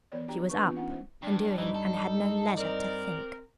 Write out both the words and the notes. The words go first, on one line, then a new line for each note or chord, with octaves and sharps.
She was up and doing and had no leisure to think.
D#3 E3 B3 C#5 D5
D4 F#4 G4 G5 A#5
D4 B4 C#6
E3 B3 C4 F4
C#4 D#4 F4 F#5
G#3 C5
E2 G2 D4
G2 E3 G3 D#4
A4
C4 A#4 D5